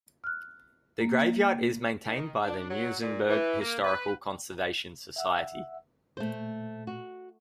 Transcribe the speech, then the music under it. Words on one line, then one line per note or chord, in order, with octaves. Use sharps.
The graveyard is maintained by the Muizenberg Historical Conservation Society.
F6 F#6
A#3
D#3
D4
F#3
A#2
E3
A#3
B4
E5 F#5 E6
A#2 A3 C5
F#4